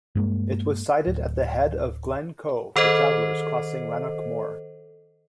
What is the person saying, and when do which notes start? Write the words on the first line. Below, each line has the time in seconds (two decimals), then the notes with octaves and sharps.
It was sited at the head of Glen Coe for travelers crossing Rannoch Moor.
0.15 G2 G#3 A#3
1.07 D1
2.76 D#3 A4 C5 D#5